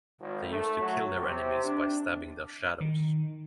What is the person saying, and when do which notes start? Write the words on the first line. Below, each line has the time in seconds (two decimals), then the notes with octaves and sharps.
They used to kill their enemies by stabbing their shadows.
0.20 G#1
0.50 A3
0.81 F#3
1.16 C3
1.64 D4
2.80 D#3